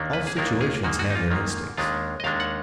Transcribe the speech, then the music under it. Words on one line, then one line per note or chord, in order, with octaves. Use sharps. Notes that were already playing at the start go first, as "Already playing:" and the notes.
All situations have their instincts.
Already playing: D#2 D#3 A#3 D4
B4
G#4
D#2 D#3 A#3 D4 A#4
G#4
G#2 D#3 A#3 F#4
F#4
D#4
F4
G#2 D#3 A#3
D#2 D#3 G#3 D4 F4
D#5
D#2 D#3 G#3 D4 F5
F#5